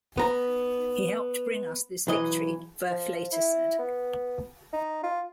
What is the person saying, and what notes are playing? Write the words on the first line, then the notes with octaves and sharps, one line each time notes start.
He helped bring us this victory, Wurf later said.
B3 A#5
B1 E3 D#5
F3
E4
B3
D#4
F4